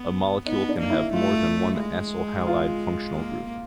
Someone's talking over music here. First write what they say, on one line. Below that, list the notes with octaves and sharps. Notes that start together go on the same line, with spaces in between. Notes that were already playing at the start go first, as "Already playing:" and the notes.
A molecule can have more than one acyl halide functional group.
Already playing: B3
B3 D#4
D4
A#3
E4
A3 F4
G#3
F4
A#3